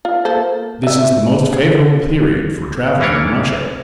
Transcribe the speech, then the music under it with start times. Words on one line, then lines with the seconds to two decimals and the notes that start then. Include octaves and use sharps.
This is the most favourable period for travelling in Russia.
0.05 F4
0.25 A#3 A4 C5
0.83 E3 E5
1.53 G#4
3.00 E3 A#3 C#4 D4 C#5